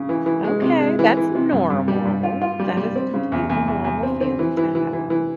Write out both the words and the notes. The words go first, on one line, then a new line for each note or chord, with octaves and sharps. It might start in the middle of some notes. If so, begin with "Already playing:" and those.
Okay. That's normal. That is a completely normal feeling to have.
Already playing: C#3
E3
E3
G#3
C3
G#3
E3
E3
C3
G2
G2
G3
G2
F4
F4
G3
G3
C4
C#3
E2
E2
E2
E2
C4
C4
E3
E3
E3
E3
E3